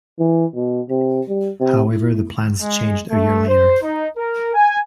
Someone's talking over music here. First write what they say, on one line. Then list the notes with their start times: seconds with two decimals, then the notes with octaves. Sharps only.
However the plans changed a year later.
0.20 E3
0.55 B2
0.89 C3
1.28 G3
1.60 C3
1.90 E4
2.60 G#3
3.10 A3
3.48 C5
3.82 D#4
4.16 A#4
4.54 G#5